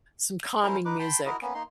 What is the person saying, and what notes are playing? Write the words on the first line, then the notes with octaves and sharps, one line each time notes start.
some calming music.
C#4 E4 A#4 C5
D#4 B4 D6
G5 A5 B5 C6
E4 F#4 A#4 D#5
A#3 B3 C#4
A#3 D#4 C6